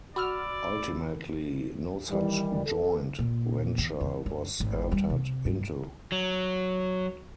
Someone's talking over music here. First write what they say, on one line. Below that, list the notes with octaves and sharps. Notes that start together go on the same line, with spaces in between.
Ultimately no such joint venture was entered into.
F#4 D5 B5 E6 F6
D#3 E3 G3
A4
A#2
E2
E2
F#2
G#1
G3
C3
G2
F#3